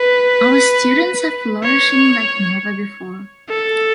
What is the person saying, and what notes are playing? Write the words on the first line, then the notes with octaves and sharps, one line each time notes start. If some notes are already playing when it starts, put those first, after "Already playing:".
Our students are flourishing like never before.
Already playing: B4
C#5
A4